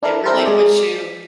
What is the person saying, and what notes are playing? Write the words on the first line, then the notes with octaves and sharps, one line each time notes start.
It really puts you,
D4 E4 A4 A#4
C4 E4 A4 A#4 C5
G#3 G#4 D5
B6